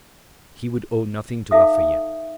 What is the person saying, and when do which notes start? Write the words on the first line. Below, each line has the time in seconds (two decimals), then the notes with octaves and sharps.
He would owe nothing to Lafayette.
1.51 D#4 A4 E5 F5 D#6